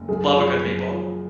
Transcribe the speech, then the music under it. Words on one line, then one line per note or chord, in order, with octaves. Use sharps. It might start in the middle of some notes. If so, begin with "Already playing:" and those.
Love a good meatball.
Already playing: F#1
F#2 G#4
F3
F#2
F3